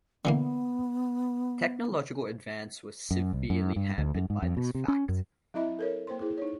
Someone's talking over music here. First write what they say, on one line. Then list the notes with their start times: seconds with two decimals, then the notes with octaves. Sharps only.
Technological advance was severely hampered by this fact.
0.25 D3 E3 A#3 B3
3.11 F#2
3.33 C2
3.50 F#2
3.76 G2
3.98 D2
4.15 F#2
4.30 G#2
4.42 F2
4.57 B2
4.75 C3
4.88 C#4
5.09 F#2
5.54 F#3 C4 E4 D#5 E5 B5
5.79 A4 A#4 C#5
6.07 A#3 C5 C6
6.21 E4 G#4 C5
6.38 D#4 C#5